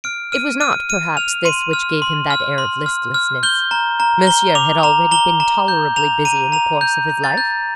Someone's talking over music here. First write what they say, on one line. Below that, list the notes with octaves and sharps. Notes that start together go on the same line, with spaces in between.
It was not, perhaps, this which gave him that air of listlessness. Monsieur had already been tolerably busy in the course of his life.
F6 D7
F6 D#7
F6 D#7
F6 D#7
F6 F7
C6 D#7
F6
C6
F6
C6
F6
F6
G6 G7
A#5
A#5
A#5 G7
D6 F7
A#5 F7
A#5 G7
A#5
G6
A#5 F7
A#5 D#7
A#5 F7
G6
G6
A6
G6